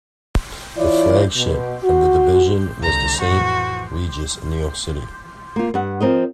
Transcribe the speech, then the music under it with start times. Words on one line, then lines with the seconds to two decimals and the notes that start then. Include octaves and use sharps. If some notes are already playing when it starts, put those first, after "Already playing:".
The flagship of the division was The Saint Regis in New York City.
0.77 E3 E4 F4 C#5 D5
1.36 B2
1.84 F#4
2.82 C2 D3 A#5
3.21 F2 A2 E3 F#4
5.56 A#3 F4
5.74 G2 F#5
6.00 F3 C4 A#4 D#5